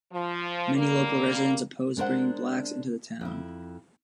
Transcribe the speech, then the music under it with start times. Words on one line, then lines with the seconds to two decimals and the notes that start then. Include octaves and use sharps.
Many local residents opposed bringing blacks into the town.
0.12 F3
0.75 D3 G3 A#3
1.97 G#3 D4 A#4 C5 F#5
3.21 F2 E4